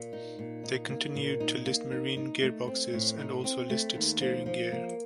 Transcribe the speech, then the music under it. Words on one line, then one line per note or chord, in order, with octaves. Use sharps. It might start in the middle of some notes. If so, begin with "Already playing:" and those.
They continued to list marine gearboxes and also listed steering gear.
Already playing: A#2
D#4
A#2
D#4
A#3
A#2
D#4
A#3
D#4
D#4
A3
C4
A2
D#4
C4
A3
D#2
F3
F3
A#3